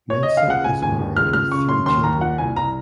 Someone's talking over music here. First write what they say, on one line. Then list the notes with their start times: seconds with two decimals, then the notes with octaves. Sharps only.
Mensah is married with three children.
0.10 C#5
0.23 D#5
0.37 F5
0.47 C#2 F#5
0.64 C#2 G#5
0.82 D#2 G#5
0.99 D#2
1.17 C#2 F6
1.33 C#2 F6
1.51 C#3 C#6
1.68 F#2 C6
1.86 D#2 C6
2.04 D#2 A#5
2.21 A#2 F#5
2.38 C2 G#5
2.56 C2 A#5